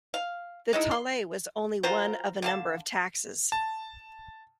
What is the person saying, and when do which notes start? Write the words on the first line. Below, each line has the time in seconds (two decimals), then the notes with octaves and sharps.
The taille was only one of a number of taxes.
0.14 F5
0.73 G#3 D#4 E4
0.91 C6
1.83 F#3 F4 A#4 C5
2.42 D3 F5 A5
3.52 A5